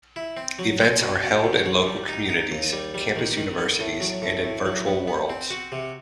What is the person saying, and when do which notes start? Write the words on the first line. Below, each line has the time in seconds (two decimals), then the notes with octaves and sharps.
Events are held in local communities, campus universities and in virtual worlds.
0.16 E4
0.37 C4
0.59 F#3
0.81 C4
1.01 B2
1.23 B2
1.44 B2
1.66 F#3
1.86 G3
2.08 D#4
2.30 D#4
2.52 D#2
2.73 G3
2.94 G3
3.16 D#3
3.37 D#3
3.58 B3
3.80 A2
4.00 F#3
4.22 A2
4.44 A2
4.66 F#3
4.86 B3
5.08 B3
5.30 C4
5.51 F#4
5.72 C3